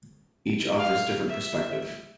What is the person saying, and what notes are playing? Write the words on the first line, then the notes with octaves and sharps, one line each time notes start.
Each offers different perspective.
F5
E5